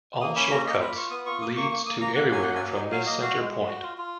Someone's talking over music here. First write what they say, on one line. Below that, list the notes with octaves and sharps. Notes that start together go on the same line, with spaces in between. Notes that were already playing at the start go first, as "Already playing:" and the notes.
All short-cuts leads to everywhere from this center point.
A#3 D#6
C#4 B5
A#3 A#5
A#3 D#5
F4 B5
F4 C#6
B3 D#6
F4 C#6
A#3 D#6
A#3 C#6
A#3 C#6
A#3 D#6
A#3 A#5
A#3 F#5
F#3 G#5
F#3 F#5
G#5
A#3
D#4
F#3 F5
A#3 D#5
F#4 F5
G#3
G#3
F#4
F4
F4